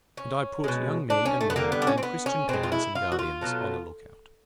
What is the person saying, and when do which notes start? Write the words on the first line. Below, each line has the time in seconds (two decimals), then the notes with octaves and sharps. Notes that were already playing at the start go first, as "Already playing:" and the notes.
And I put young men and women and Christian parents and guardians on the look-out.
0.17 C#4
0.64 B2 G#3
1.10 D4
1.26 C#4
1.41 A3
1.50 B3
1.56 D3 G3 A#3
1.72 B3
1.82 D4
1.87 C#4
1.98 C4
2.03 B3
2.26 C#4
2.49 B2 G#3 C4
2.63 F4
2.72 E4
2.95 F4
3.12 F#4
3.19 F4
3.41 B2 F#3 A3